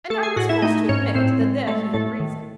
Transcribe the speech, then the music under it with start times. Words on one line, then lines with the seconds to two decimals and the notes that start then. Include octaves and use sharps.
And I was forced to admit that there he had reason.
0.10 A3 A4 A5
0.23 G#4 G#5
0.36 A2 F#4 F#5
0.49 E4 E5
0.62 A3 D#4 D#5
0.89 G#2 C#4 C#5
1.15 A2 C4 C5
1.41 G#3
1.67 G#3 A3 A4
1.94 A2 A3 A4
2.20 D#3